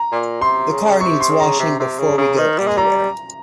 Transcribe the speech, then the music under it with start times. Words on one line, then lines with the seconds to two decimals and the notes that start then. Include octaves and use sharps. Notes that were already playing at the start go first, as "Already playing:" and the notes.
The car needs washing before we go anywhere.
Already playing: A#5
0.12 A#2
0.41 C3 C6
0.72 C#3
1.00 C3 C#6
1.20 C6
1.30 C#3
1.40 A#5
1.59 C3
1.80 C3
1.99 C#3
2.18 C#3
2.37 D#3
2.58 G3
2.67 G#3
2.77 G3 A#5